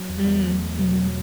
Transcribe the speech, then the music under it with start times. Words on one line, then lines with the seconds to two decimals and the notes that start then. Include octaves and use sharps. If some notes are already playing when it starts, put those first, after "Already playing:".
Mm, mhm.
Already playing: F#3
0.10 E2
0.27 E2
0.44 A3
0.62 E2
0.79 B2
0.97 F#3